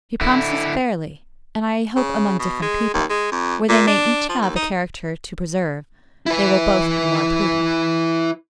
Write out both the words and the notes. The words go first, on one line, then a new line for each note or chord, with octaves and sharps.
He promises fairly; and I hope among different people, where they may each have a character to preserve, they will both be more prudent.
D3 E4
C#3
B2
G#3
D#2
G#3
F2
A#2
D4
F3
D#2
D#4
E4 B4